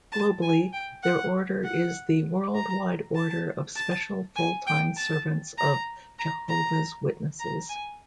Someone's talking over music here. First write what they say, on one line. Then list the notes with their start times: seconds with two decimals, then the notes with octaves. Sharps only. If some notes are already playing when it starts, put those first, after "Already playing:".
Globally, their order is the "Worldwide Order of Special Full-Time Servants of Jehovah's Witnesses".
0.12 A5
0.42 G#5
0.73 G5
1.03 F#5
1.63 F#5
2.54 A#5
3.15 A5
3.75 A5
4.36 G#5
4.66 G5
4.96 A5
5.58 A#5
6.18 A#5
6.48 A#5
7.39 A#5
7.69 G#5